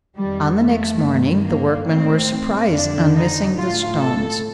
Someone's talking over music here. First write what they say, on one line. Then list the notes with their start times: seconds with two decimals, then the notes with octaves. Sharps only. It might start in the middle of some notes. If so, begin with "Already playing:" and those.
On the next morning, the workmen were surprised on missing the stones.
0.17 F2 D#3 G3
0.60 A3
1.02 G2 D#3
1.44 A#3
1.88 A2 C4
2.72 F2 D3 D4
3.14 D#4
3.56 A2 F4
3.99 A4